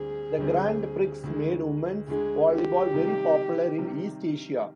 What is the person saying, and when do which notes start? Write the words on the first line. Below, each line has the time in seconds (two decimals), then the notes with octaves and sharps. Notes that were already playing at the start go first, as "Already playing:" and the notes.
The Grand Prix made women's volleyball very popular in East Asia.
Already playing: D2 D3 G3 C4 G#4
0.38 D2 D3 G3 C4
1.23 D2 D3 G#3
2.08 D2 D3 G#3 G#4
2.51 G4
2.93 C3 D#3 G3
3.78 C3 D#3 G3